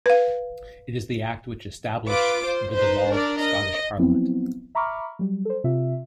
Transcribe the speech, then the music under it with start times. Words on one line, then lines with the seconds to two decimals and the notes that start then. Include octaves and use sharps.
It is the Act which established the devolved Scottish Parliament.
0.06 B4 F5
2.08 F4 B4 D6
2.45 C5
2.74 D#4 B4 C5
3.11 D4 A#4 D5
3.42 D#5
3.98 F3 F#3 B3 C4 E4
4.75 E5 A#5 B5 C#6 D6 F6
5.19 F#3 G3
5.45 A4 C5
5.64 C3 F4 E5